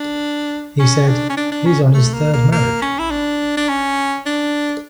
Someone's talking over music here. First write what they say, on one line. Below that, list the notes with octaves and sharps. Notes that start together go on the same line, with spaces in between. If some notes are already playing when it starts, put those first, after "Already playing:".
He said, He's on his third marriage.
Already playing: D4
C#4
D4
C#4
D4
D4
C#4
A3
A#3
A#3
A#3
C#4
E4
D4
D4
C#4
D4